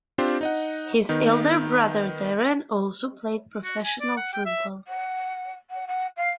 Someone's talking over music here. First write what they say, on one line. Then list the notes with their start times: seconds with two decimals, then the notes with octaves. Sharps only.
His elder brother Darren also played professional football.
0.18 C4 D4 F4 G4 C5
0.41 D#4 D#5 F#5
1.09 D#3 B3 D#4
3.64 F#4
3.84 G#5
4.01 D5
4.17 F#5
4.33 G5
4.46 E5
4.87 F#5
5.70 F#5
5.87 F#5
6.16 F5